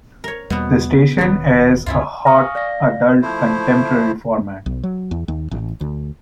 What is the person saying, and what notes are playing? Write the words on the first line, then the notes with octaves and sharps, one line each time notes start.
The station airs a hot adult contemporary format.
A#4 C#5
E2 B2 G3 A#3 B3
D#1 D#3 F#3 B3 C#4
C#2 G2 C#4 E4 F4
F5 G#5 C#6 D#6 F6 A#6
D5 F5 A#6
F3 A3 E4 C5
B1
F#3
E2
D#2
A1
D2